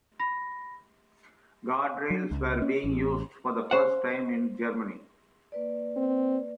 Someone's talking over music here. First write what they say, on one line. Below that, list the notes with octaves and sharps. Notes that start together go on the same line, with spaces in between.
Guardrails were being used for the first time in Germany.
B5 A#6
F#3
C#2
C#4
A1
C5 F#5
A#3 B4 D5
C4